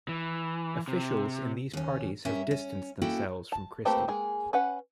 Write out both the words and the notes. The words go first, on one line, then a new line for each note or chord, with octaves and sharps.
Officials in these parties have distanced themselves from Christie.
E3
C3
D#2 C#4
G2 C#4 A#4 E5
C#4
A#3 C#4 E4 F#4 A4 G5
A5
A3 A#3 C4 G4 B4
G#3 A#3 G#4
C#4 B4 F#5